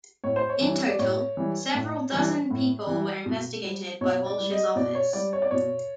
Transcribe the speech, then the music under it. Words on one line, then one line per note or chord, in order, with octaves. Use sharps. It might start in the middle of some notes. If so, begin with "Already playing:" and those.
In total, several dozen people were investigated by Walsh's office.
A2 C#5
C5
C#5
E3 G3
D5
A2 C#5
E3 G3
A2
E3 G3
A2
E3 G3
B2
G3
B2 C#5
D5
G3
D#5
B2 D5
C#5
G3 D5
C#5
D5
B2 C#5